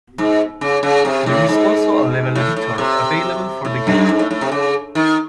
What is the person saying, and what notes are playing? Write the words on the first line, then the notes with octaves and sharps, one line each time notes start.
There is also a level editor available for the game.
G#2
C#3
C#3
C3
A2
G#2
A2
A2
C3
A2
F#2
G#2
A2
A2
C3
C#3
D#3